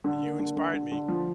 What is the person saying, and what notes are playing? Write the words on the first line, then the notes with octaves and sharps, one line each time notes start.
You inspired me.
D3
A#3
D3
D3
D3
D3
F3